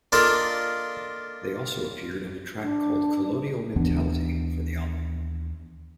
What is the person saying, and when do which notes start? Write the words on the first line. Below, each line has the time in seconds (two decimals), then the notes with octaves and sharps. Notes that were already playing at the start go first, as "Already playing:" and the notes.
They also appeared on a track called "Colonial Mentality" for the album.
0.12 A#3 D4 F4 A4 D#5
2.62 D4
3.76 D#2 E3 B3 D4